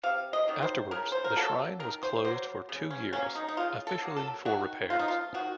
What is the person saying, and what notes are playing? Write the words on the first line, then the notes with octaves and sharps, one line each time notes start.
Afterwards the shrine was closed for two years, officially for repairs.
C3 F5
D#5
D#3 F#3 A#3
C5
C#3 A#4
C5
A#4
F#3 A#3 A4
D#3 A#4
C5
F#3 A#3 C5
C#3
C#4
F#3 A#3 C#4
D#4
D#4
C#3 F4
A4
F#3 A#3
A4
D#3 F#4
A3 F4
D#4
F4
D#3 F#4